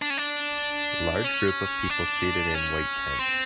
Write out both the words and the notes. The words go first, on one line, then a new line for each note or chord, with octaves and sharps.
Large group of people seated in white tent.
D4
C#4
D4
C#4
D4
C#4
C4